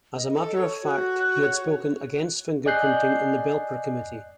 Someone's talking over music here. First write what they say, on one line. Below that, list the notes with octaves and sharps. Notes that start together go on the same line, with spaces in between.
As a matter of fact, he had spoken against fingerprinting in the Belper Committee.
D#5
A4
C#5
F#4
C#5
D5 D#5 G#5 F#6 G6 C7